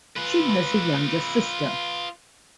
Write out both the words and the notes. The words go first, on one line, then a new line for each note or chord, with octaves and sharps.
She has a younger sister.
F4 B4